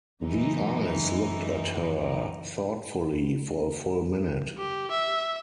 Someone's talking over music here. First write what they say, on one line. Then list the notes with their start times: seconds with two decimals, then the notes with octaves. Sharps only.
The eyes looked at her thoughtfully for a full minute.
0.23 F#2 E3 D#4
4.58 G4
4.91 E5